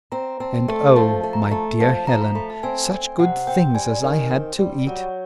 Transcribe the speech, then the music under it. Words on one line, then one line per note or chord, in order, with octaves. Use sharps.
And, oh, my dear Helen, such good things as I had to eat!
C4 A#5
C4 A5
A3
F3 A5
A3
A#5
A3 A5
F3 A5
F3 A#5
B5
A3 B5
A5
C4 G#5
C4
C3 F#5
C4 G5
G3 G#5
D#3
C4
G3
F#3 C#5